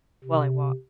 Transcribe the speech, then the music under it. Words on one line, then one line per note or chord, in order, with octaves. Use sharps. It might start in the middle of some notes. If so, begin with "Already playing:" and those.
while I walk.
C3